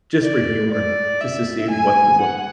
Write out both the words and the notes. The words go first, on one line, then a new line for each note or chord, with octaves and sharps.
just for humor, just to see what the look
D5
D5
E5
G#5
F#5